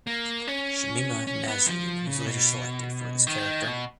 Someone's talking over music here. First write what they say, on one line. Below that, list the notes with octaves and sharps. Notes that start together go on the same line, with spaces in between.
Shamima Nazneen was later selected for this character.
A#3
C#4
C#4
B3
F3
C#3
B2
D#3
B2